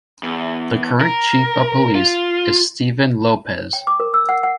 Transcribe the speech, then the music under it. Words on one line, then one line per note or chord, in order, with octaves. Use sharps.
The current chief of police is Stephen Lopez.
E2
A#4
F4
C#5
G5
D6
A#4
E6
F#5
F#5